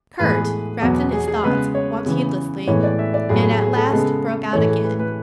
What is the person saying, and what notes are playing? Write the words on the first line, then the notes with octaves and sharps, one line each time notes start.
Kurt, wrapped in his thoughts, walked heedlessly, and at last broke out again.
A2 E3 G#3 B3 B4
G#4
G#4
E2 B2 F#3 B3
G#4
G#4
C#3 G#3 B3 B4
C#5
C#3 E3 B3
A2 E3 G#3 B3 C#5
D5
E5
D5
A2 F#3 B3 G#4
G#4
G#4
G#4
A4
C#3 G#3 B3
A2 E3 A3 C#5
G#4
B4
B4